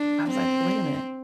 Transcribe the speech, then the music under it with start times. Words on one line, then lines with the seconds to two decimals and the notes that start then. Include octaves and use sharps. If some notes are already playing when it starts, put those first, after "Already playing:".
I was like, "Wait a minute."
Already playing: D4
0.30 C4